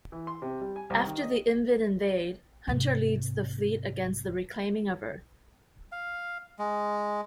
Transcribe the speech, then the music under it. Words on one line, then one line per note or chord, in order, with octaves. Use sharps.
After the Invid invade, Hunter leads the fleet against the reclaiming of Earth.
E3
C6
C3
G3
G#5
C2
D#3
D#5
G#2 C3
F5
G#3